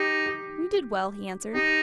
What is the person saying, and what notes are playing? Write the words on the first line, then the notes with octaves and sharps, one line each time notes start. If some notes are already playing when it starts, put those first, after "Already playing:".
"We did well," he answered.
Already playing: D#4 G4
G4
D#4 G4